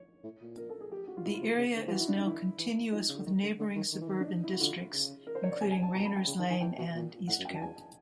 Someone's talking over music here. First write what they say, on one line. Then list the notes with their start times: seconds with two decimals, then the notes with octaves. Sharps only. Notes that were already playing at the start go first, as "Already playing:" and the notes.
The area is now continuous with neighbouring suburban districts including Rayners Lane and Eastcote.
Already playing: C#5
0.24 A2
0.41 A#2
0.57 A#4
0.69 A4
0.81 G#4
0.92 G4
1.07 F#4
1.17 F4
1.25 B2 E4
1.34 F4
1.42 C3
1.58 C#3
1.76 D3
1.88 F3
1.92 E3 F#4
2.00 E4
2.08 D4
2.17 D#4
2.25 D#3 E4
2.59 E3
2.92 F3 D#4
3.09 C#3
3.17 D3
3.26 D#3
3.43 D3
3.59 D3
3.76 D#3
3.93 D#3
4.01 E3
4.08 D#3
4.20 D4
4.27 D#4
4.44 E4
4.53 F#4
4.60 D3 F4
4.93 C#3
5.27 A#4
5.35 C5
5.44 C#5
5.52 D5
5.60 C3 G#5
5.71 G#5
5.83 A5
5.94 B2 A#5
6.05 B5
6.16 G5
6.27 C#3
6.39 D#3 A5
6.50 D#3 G#5
6.61 E3 G5
6.78 B2
6.94 A#2
7.27 A2 F#5
7.39 F#2
7.45 G5
7.50 F#2
7.55 A5
7.61 E2 G#5